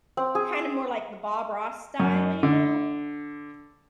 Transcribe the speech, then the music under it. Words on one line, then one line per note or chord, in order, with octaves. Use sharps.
Kinda more like the Bob Ross style, you know?
C4
G#4
F#2
D3